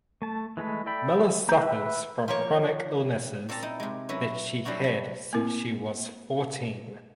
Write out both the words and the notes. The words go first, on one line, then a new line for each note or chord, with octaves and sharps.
Miller suffers from chronic illnesses that she had since she was fourteen.
A3 A5
E3 G#3 A3 B4
A4 D5 E5 G5 B5
A#3 A#5 G6
B4 E5 F#5
F3 A#3 C#5
A#2 C4 A4 A5 A#5
D#4 E4
C3 G#3
F#3 C#4 E4 B4
F#3 G3 D4 E4 F#4
B5
A#3 C4 E4 A#4